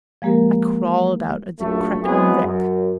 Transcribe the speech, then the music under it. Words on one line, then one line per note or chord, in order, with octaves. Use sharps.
I crawled out a decrepit wreck.
F3 G#3 A#3 G4 A#4
A#1 F#2 A3
F#3 G#3 B3 C4 E4 G#4
F#2